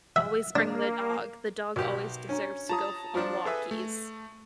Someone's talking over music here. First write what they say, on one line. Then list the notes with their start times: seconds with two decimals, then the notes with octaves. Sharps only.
Always bring the dog; the dog always deserves to go f on walkies.
0.16 E5
0.56 A#3 D4
1.76 B1 F#4 G4 A#4
2.29 C#4 D4 G#5 A#5
2.69 F4 G4 F5 A5 A#5 D#6
3.15 F3 D4
3.46 G#4 A4 B4 E5
3.71 A3